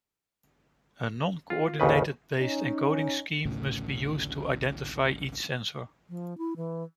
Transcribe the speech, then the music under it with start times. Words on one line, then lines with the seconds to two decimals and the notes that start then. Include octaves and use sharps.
A non-coordinate based encoding scheme must be used to identify each sensor.
1.50 F4
1.80 A1 D#2 C#3 B4
2.40 C#4 D#4
3.45 A1 D2 A2 C#3
6.09 F3
6.38 E4
6.56 E3